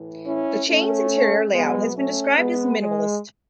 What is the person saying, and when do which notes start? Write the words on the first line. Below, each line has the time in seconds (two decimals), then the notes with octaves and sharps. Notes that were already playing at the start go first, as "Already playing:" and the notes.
The chain's interior layout has been described as "minimalist".
Already playing: A2 E3
0.26 C#4 E4
0.68 A3 C#4
1.53 B2 F#3 G#3 B3
1.95 A3 C#4
2.38 G#3 B3
2.80 G#3